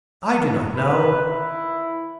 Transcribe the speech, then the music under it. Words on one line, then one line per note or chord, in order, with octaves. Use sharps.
I do not know.
B4
E4